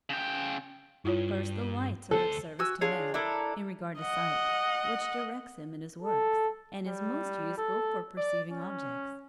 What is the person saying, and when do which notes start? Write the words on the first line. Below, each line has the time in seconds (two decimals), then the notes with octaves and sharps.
First, the lights are of service to man, in regard to sight, which directs him in his works, and is most useful for perceiving objects.
0.09 C#3 G5
1.05 G2 E4 F4 C#5
2.11 D2 A4 C5
2.59 F#4 G#5 E6
2.81 D4 F4 G#4 C#5
3.14 D4 E4 A4 A#4
3.99 D#5 F#5
6.02 A4
6.87 G3
7.58 A4
8.17 D5
8.51 C#4